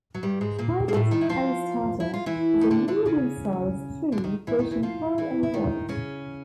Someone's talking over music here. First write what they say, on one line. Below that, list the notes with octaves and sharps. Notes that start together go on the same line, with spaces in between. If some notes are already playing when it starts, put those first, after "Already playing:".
"Pinus aristata" is a medium-size tree, reaching high and wide.
F#3
G2 G3
G#2 G#3
A#2 A#3
A#3
A2 A3
D#3 D#4
E4
F3 F4
E4
F4
E3 E4
D#4
D3 D4
D3 D4
C#3 C#4
D3 D4
D#3 D#4
E3 E4
D#3 D#4
E3 E4
F3 F4
E3 E4
E4
D#3 D#4
C#3 C#4